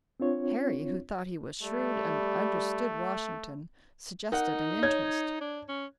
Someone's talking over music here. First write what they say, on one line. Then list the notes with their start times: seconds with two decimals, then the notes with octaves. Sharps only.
Harry, who thought he was shrewd and understood Washington, suggested an interest.
0.20 C4 D4 F4 C#5
1.63 G3 A3
4.32 D#4 A#4 F#5
4.83 C#5 G#6
5.41 D4
5.68 C#4